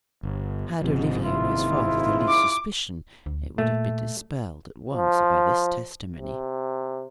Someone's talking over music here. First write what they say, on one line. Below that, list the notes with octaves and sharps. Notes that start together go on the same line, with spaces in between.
Had Olivier and his father the least suspicion, it would have been dispelled at once by this testimony.
G1
G#1 G#2 C3 F3
A#1 G#2 E4 F4
D6
D2
A#2 A3
F3
C3